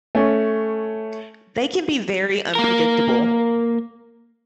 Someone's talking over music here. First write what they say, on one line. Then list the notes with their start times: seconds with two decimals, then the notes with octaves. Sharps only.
They can be very unpredictable.
0.15 A3 C#4
2.55 A#3 A#4